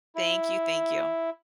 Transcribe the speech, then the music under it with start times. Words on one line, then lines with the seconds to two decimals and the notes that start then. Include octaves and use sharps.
Thank you, thank you.
0.15 E4